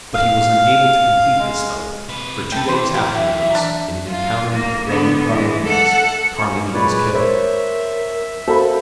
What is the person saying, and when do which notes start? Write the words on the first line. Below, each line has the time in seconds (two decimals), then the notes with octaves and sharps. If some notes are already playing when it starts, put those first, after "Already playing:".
But he was unable to complete this oath, for two days afterwards, in an encounter with the Roman carbineers, Carlini was killed.
0.14 F5
1.39 G#3
2.09 C3 B4
2.52 A3 A4 B4 G5
2.68 E3 B4 C5
2.94 E3 F#3 G4 A#4
3.13 E5
3.50 D4 A#4
4.09 F4
4.51 A#3
4.89 D3 B3
5.30 E3 G#3
5.65 A4 F#5
6.39 B2 A#3 C#4
6.74 A#2 G#3 B4 C#5 D5 B5
7.14 A#4 C5 C#5 E5
8.48 A#3 F#4 A4 C5 B5